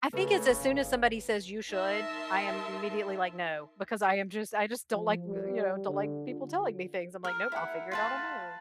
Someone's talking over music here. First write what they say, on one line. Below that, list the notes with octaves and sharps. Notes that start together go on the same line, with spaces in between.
I think it's as soon as somebody says you should, I immediately, like, "No," because I am just I just don't like, uh you know, don't like people telling me things. I'm like, "Nope, I'll figure it out on my own."
C#3 A3 B4
G1
D#4 A#4 E5 A5 C6
F3
G3
D3
F4
A#4
E4 F#5
F4 B4 A5